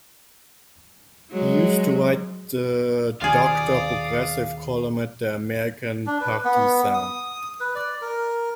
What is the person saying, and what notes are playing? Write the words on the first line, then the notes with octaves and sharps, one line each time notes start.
He used to write the "Doctor Progressive" column at "The American Partisan".
F#3 G#3
D#2 B2 F4 G#4 D5 F5 D#6
D4
B4
B3
D#6
B4
D5
A#4